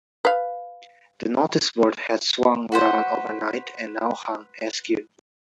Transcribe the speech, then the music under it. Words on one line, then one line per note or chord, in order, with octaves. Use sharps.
The noticeboard had swung round overnight, and now hung askew.
B4 F5
F#4 B4 C5 F#5